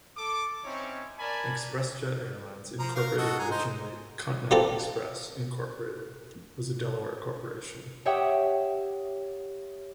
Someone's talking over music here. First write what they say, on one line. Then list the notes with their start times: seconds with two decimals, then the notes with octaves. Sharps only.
ExpressJet Airlines, Incorporated originally Continental Express, Incorporated was a Delaware corporation.
0.16 A4 D6
0.64 C4 C#4 D#4 E4 C#5
1.19 A#4 D5 G#5 A5 B5
2.79 F3 A#5
2.96 A#4 F5
3.18 F#4 A4 D#5
3.39 G#4 A#5
3.51 D#4 C5
4.51 G3 A#3 C4 F4 G4 A4
8.05 G4 C#5 E5 F#5 G5 D#6